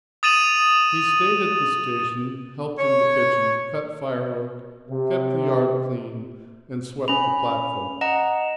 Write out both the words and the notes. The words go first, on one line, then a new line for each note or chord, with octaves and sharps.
He stayed at the station, helped in the kitchen, cut firewood, kept the yard clean, and swept the platform.
D#6 A6 D#7 E7 F#7
C#5
C3
C#4 B5 F7
D#5 F#5 A#5 E7